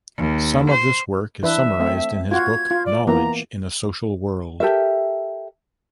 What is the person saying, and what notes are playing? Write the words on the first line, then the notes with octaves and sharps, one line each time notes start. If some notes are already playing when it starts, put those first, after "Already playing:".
Some of this work is summarized in his book "Knowledge in a Social World".
D#2
C5
E3 D4 B4 E5
A3 C4
F4 F#4 G#6
F4
D5
E3 A#3 B3 A#5
G4 A4 A#4 E5